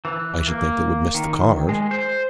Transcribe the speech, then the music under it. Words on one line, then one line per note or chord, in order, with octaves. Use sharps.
"I should think they would miss the cars."
E3
A#3
D#3
G#3
C5